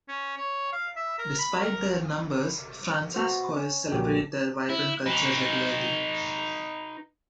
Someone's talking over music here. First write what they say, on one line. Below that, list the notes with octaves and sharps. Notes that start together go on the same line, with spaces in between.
Despite their numbers, Fransaskois celebrate their vibrant culture regularly.
C#4
C#5
F5
E5
A#4
B5
A#4
B3 F#4 C5
C#4
A#1 F#3 G4
E4
D#4 B4